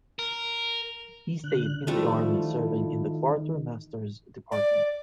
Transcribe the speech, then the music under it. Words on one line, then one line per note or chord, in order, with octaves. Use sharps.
He stayed in the army serving in the quartermaster's department.
A#4
D3 F#6
D#3 F3 G3 A3 E4 F4 A4
D5